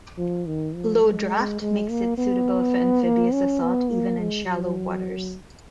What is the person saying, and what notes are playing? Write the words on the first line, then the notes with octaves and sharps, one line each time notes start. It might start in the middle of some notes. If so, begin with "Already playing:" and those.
Low draft makes it suitable for amphibious assault even in shallow waters.
F3
D#3
F3
G#3
G#3
A#3
B3
A#3
C#4
B3
A#3
G#3
F#3